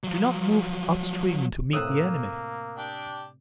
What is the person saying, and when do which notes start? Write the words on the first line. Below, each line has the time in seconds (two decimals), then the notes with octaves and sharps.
Do not move up-stream to meet the enemy.
0.04 F3 F#3
1.73 A2 C3 A#3 D#6 E6 F#6
2.77 D4 G4